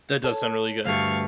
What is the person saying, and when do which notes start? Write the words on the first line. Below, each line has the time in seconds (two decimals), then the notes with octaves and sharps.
That does sound really good.
0.24 A4 C#5 A5
0.85 D2 G2 A3 F5 C#6